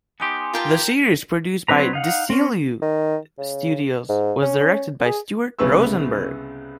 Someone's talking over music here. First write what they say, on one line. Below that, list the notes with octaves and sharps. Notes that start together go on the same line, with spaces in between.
The series, produced at Desilu Studios, was directed by Stuart Rosenberg.
B3 D#4 G4 G#5 C6
F4 A#4 G5 A5
F#3 C4 D4 B4 A#5
D#4 F5 F#5
C4 C#4
D#3
C#3
G#2
C#4
G#4
C2 C#3 B3 B4 C#6 E6